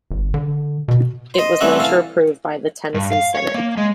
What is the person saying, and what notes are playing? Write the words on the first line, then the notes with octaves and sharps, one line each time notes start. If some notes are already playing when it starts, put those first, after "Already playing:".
It was later approved by the Tennessee Senate.
G1
D3
B2
C5 D#5
G3 A3 C4 C#4 E5 F#5
E3 A4 F5
G2
F5
C#5
A#3
G#3